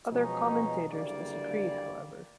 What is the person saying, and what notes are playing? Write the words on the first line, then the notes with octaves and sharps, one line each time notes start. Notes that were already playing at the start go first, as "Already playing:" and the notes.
Other commentators disagree however.
B2 F3 F#3 G#3 C#4 D#4
F#1 D3 E3 G3 A#3 D5